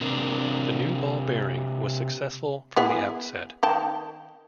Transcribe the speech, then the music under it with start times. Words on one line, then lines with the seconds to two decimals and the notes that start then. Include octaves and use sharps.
The new ball bearing was successful from the outset.
0.01 C3 C4 D4 A#4
2.76 B3 E4 G#4
3.63 D#3 G5 A5